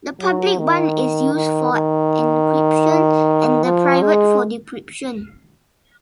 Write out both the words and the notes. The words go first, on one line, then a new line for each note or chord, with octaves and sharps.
The public one is used for encryption, and the private for decryption.
F#3
D#3
D#3
D#3
F3
G#3